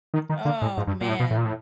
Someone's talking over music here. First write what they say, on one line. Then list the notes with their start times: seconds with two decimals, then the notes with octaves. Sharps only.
Oh man.
0.14 D#3
0.29 D#3
0.45 D3
0.62 A2
0.77 G#2
0.87 G2
1.01 A#2
1.09 A2
1.20 B2
1.31 A2
1.37 A#2
1.45 A2